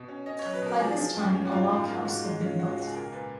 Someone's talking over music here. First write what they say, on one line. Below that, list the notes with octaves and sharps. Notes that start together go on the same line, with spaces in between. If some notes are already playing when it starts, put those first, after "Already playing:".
By this time a lock house had been built.
Already playing: B2
C#4
C#4 D#5
C#5
F#3
B4
B2 A#4
F3 G#4
F3
F#2
C#4
F#4
G#2 F4
G#2
A#3 F4
G#2 F#4
G#3
C#4 F4
C#4 F#4
F4
C#2 F#4
G#4
A#2 A#4
A#2 B4